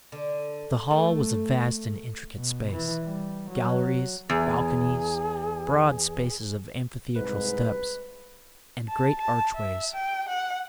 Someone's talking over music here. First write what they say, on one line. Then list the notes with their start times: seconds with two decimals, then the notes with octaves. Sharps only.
The hall was a vast and intricate space--galleries, balconies, broad spaces of amphitheatral steps, and great archways.
0.12 D3
0.91 A3
2.36 B2
2.72 E3
3.03 G3
3.50 F#3
4.30 E2 G#4
7.16 C2 G#2 B4
8.89 A5
9.20 A5
9.55 E5
9.93 G5
10.29 F#5